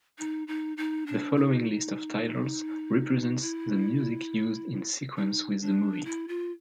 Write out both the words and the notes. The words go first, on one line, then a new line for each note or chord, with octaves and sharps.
The following list of titles represents the music used in sequence with the movie.
D#4
D#4
D#4
D4
D#4
E4
D#4
D4
E4
F4